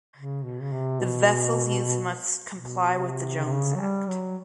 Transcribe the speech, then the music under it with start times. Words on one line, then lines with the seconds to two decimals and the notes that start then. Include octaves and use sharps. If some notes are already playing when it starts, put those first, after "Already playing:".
The vessels used must comply with the Jones Act.
0.17 C#3
0.44 B2
0.62 C#3
0.72 C3
1.00 B2
2.54 B2
2.96 C3
3.38 C#3
3.45 C3
3.53 C#3
3.75 F#3
3.80 G3
4.08 F#3